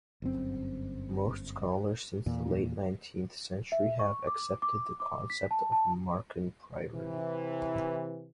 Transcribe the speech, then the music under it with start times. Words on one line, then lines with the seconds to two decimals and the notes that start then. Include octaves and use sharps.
Most scholars since the late nineteenth century have accepted the concept of Marcan priority.
0.22 G1 F#2 C4
2.26 E2 A#2
3.72 E5
3.99 C#6
4.27 D6
4.62 D6
5.00 D6
5.30 B6
5.51 A5
5.72 A5
6.92 C3 E3